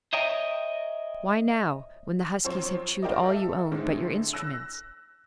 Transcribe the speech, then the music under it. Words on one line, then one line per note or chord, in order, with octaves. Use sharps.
'Why, now, when the huskies have chewed all you own but your instruments?
C5 C#5 D#5 E5 G5 A#5
F3 F#3 C4 C5 C#5
F4 G4 A#4 D5 D#5
A4 E5
A2 D3 E3 G#3 C4 D#4
E6 F#6 A#6